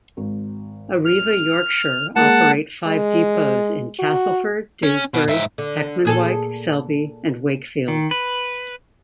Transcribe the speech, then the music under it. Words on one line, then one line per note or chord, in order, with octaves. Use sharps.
Arriva Yorkshire operate five depots in Castleford, Dewsbury, Heckmondwike, Selby and Wakefield.
G#1
F6
G#3 A#3 F#5 A5
G#3
F#4
C#4
B2
G#2 E5
D3
A#2 G#4 A4
D#3
B4